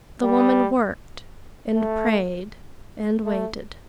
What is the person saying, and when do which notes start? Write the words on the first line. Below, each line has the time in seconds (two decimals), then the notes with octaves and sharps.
The woman worked and prayed and waited.
0.22 G3
1.74 A3
3.25 A3